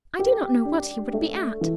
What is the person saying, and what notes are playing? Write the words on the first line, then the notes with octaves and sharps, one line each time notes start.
I do not know what he would be at.
G4
D4
A3
E3